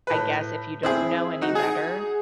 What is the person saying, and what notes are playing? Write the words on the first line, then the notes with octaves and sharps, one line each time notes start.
I guess if you don't know any better,
A2 B4
C4 E4 G#4
D#4 F#4
G#4